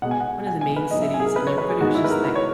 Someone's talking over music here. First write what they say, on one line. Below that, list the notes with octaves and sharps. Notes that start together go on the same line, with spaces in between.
one of the main cities, and everybody was just, like,
B2 G#3 B3 F#5
G#5
F#5
G#5
G#5
B4
G#2 F#3 B3 D#5
E5
G#5
G#4
A#4
B4
C#5
B4
G#4
G#2 D#3 G#3 B3 F#4
E4
B4
A#4
B4
C#5